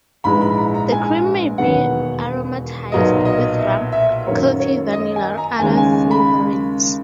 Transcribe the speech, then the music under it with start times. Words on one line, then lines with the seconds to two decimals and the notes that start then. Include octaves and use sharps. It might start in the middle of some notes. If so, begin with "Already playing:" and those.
The cream may be aromatized with rum, coffee, vanilla, or other flavorings.
0.24 A#1 G#2 E3 G#3 B5
0.41 B5
0.58 A#5
0.74 A#5
0.92 G#5
1.58 E1 D#2 D#3 F#3 B3 F#5
2.92 B1 A#2 F#3 B3 D#5
3.25 D#5
3.59 E5
3.92 E5
4.27 F#2 D#3 F#3 A#3 C#5
4.59 C#5
4.93 D#5
5.16 G#5
5.38 A#5
5.59 D#2 C#3 G#3 C#4 G#5
5.77 G#5
6.11 B5